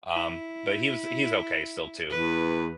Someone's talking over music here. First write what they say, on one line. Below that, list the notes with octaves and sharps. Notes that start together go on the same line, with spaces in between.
um, but he was he was okay still too.
E4
E2 B4